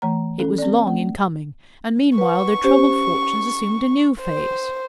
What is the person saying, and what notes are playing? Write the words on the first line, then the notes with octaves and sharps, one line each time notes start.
It was long in coming, and meanwhile their troubled fortunes assumed a new phase.
E3 A3 A#5
C#4 A4
C4 D5
A3
B4 F#5 C#6
C#4 G4 C5
C5